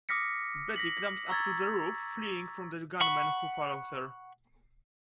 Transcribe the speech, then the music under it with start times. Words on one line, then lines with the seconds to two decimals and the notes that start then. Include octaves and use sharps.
Betty climbs up to the roof, fleeing from the gunman who follows her.
0.09 D6 D#6 F6 A#6 B6 C#7
0.76 A#6 B6 F#7
1.29 A#5 C#6 E6 G#6 A6
3.01 F#5 B5 C#6